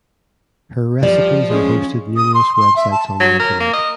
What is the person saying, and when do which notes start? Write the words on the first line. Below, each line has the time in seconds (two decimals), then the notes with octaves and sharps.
Her recipes are hosted numerous websites on the internet.
1.03 F3 G3 D5
1.50 G#3 C#4
2.16 D#6
2.34 C6
2.57 C6
2.76 E5
2.91 A5
3.20 F#3
3.39 A#4
3.60 A#3
3.73 D#5